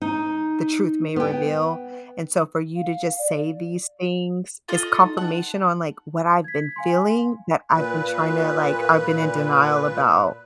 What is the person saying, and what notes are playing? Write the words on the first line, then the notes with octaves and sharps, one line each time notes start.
the truth may reveal and so for you to just say these things is confirmation on, like, what I've been feeling that I've been tryna, like I've been in denial about.
D#4
B3 G5
F5
D5
F4 A4 D#5
D#4
F#5 A5
G#6 B6
F5 G#5 C6
A#2 B4